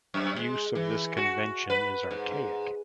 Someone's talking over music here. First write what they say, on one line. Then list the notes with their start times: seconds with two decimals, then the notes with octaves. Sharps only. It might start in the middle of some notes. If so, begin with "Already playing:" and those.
Use of this convention is archaic.
0.14 F#2
0.39 G#3
0.75 E3
1.17 F#4
1.70 B4
2.11 G#2